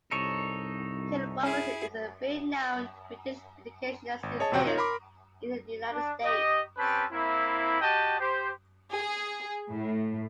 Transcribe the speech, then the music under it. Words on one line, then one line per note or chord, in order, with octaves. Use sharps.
Ken Robinson is a renowned British educationist who lives in the United States.
C2 D#4 A4 C#5 D7
C#4 E4 G#4
G#1
G#4 C#5 D#5 A5
A1 F2 C3 C4 F#4 G5
D#4 F4 C#5
A#4 B5 C6 D6
D4
G4 D#5
C4 C#4 G4 B4 A5
A#3 C4 E4
F#4 G4 D#5 G5 A5
G4 C5
G#4
A2